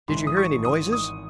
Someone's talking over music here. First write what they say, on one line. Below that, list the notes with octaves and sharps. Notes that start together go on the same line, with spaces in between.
"Did you hear any noises?"
G#1 G#2 E3 C6
D#6
C#6
D#6
D#6